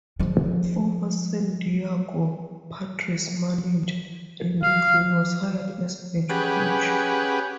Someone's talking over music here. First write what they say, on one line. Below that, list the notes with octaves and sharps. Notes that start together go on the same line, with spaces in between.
Former San Diego Padres manager Andy Green was hired as bench coach.
F3 G#3
F5
C#4 G4 G#4 B4 F#5